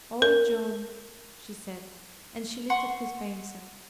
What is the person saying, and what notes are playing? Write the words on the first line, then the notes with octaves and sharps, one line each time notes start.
'Oh, John!' she said, and she lifted his face up.
A#4
F#5 C6 C#6